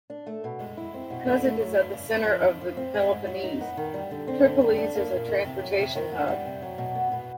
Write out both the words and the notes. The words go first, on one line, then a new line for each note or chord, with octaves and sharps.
Because it is at the centre of the Peloponnese, Tripolis is a transportation hub.
D4
A3
B2
G#3
E4
C4
B2
D3
A3
F#3
G2
C#3
F2
F3
F2
F3
C4
G#3
G#2
F#3
D#4
B3
D#3
G3
D3
C4
D3
G3
D4
A#3
A#2
D#3
C3
F#3
C3
D#3
B3
G3
C3
F#3
B2
B3
B2